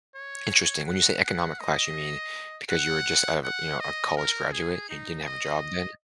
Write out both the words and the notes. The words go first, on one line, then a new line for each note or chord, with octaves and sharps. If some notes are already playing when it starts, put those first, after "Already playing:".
Interesting. When you say economic class, you mean because you were just out of a, you know, a college graduate and didn't have a job then?
C#5
F#5
F#5
D#5
F#5
F#5
D#5
A#4
G#4
D#4
D#5